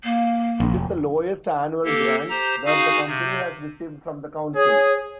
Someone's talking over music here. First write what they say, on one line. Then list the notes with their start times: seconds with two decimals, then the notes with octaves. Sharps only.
It is the lowest annual grant that the company has received from the council.
0.03 A#3
0.60 A#1
0.74 F1
1.84 A#3 G4 A4
2.30 G4 C5 A#5
2.66 D#4 F#4 G#4 F5 G#5
3.07 C3
4.56 G#4 C#5